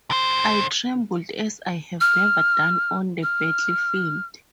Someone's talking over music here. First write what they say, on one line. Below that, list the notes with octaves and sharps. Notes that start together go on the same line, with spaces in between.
I trembled as I have never done on the battlefield.
D3 C5
F6
F6